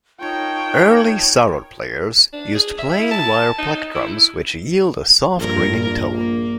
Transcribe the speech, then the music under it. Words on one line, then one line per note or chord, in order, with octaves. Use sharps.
Early sarod players used plain wire plectrums, which yield a soft, ringing tone.
D#4 F4 A#4 C#5 G5 A5
D4
G#4
E5
E4
A5
D#4
E4
A#1 G2 A#4
A#3